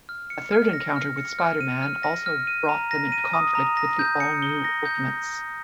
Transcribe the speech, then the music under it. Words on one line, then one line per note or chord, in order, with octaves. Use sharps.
A third encounter with Spider-Man also brought them into conflict with the All-New Ultimates.
F6
C#7
F6
A#6
F6
C#7
F6
D#7
F6
A#6
F6
D#7
A#5
A#6
D#7
D#6
A#5
A#6
G6
C#7
G7
A#6
G6